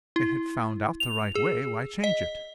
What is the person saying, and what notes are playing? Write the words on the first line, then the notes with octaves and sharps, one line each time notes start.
"If they had found out the right way, why change it?"
E4
F7
G#4
D#5